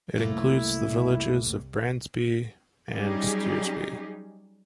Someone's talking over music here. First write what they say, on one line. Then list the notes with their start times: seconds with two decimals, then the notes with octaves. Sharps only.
It includes the villages of Brandsby and Stearsby.
0.16 C2 F#2 A3 A#3 E4
2.91 F#3 G3 C#4 D#4 G4 G#4